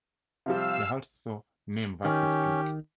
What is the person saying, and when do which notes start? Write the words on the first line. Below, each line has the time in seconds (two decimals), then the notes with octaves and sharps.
He also named Vasquez Peak.
0.46 C3 F3 G3 F5 E6
2.05 D#3 C#4 G4